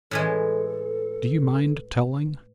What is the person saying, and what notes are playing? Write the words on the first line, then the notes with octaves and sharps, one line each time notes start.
Do you mind telling?
A2 E3 G#3 A4